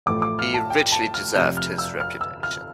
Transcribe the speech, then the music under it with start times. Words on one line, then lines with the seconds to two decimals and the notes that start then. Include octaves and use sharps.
He richly deserved his reputation.
0.06 A1 A2 F3 A3 D6
0.22 D6
0.39 F6
0.54 A5
0.70 G5
0.92 A5
1.14 F6
1.35 F1 F2 C3 G6
1.57 F6
1.78 E6
2.00 F6
2.21 E6
2.43 F6